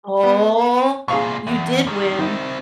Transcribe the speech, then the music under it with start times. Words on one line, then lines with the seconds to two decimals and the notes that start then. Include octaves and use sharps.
Oh! You did win.
0.23 B3
1.08 C2 A#2 G#4 F5 C#6
1.47 E2
1.87 D#3 G3
2.19 D#3 C4 E4